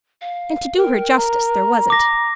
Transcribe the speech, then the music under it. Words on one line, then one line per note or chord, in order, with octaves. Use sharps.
And, to do her justice, there wasn't.
F5
A#4 G5
A#5
D6 A#6